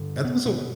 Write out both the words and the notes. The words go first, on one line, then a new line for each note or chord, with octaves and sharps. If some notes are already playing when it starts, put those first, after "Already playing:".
That's also
Already playing: G2 D3
B2 B3
B2 B3